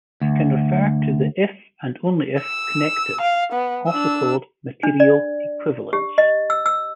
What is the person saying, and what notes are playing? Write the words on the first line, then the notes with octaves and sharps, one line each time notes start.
It can refer to the if and only if connective, also called material equivalence.
D2
E6
F5
B3
D4 E6
D4
D5
G4
D#5
E6
E6